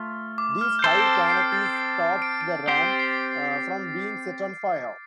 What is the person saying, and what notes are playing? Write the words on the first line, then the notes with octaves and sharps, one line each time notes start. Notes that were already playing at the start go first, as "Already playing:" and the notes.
These hide canopies stopped the ram from being set on fire.
Already playing: A3 F4
D6
F6
G6
C4 A4 C5 A6
D7
C7
C7
A6
C7
D7
D7
C4 G4 C5 C7
A6
C7
A6